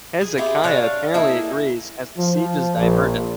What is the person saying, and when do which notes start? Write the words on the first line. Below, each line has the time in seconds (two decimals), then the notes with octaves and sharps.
Hezekiah apparently agrees, as the siege is diverted.
0.21 G#4
0.38 E4 F4 G4 G#4
0.64 D4 C#5 F5
1.14 A#3 E4 G#4 A4
2.17 F3
2.77 A#1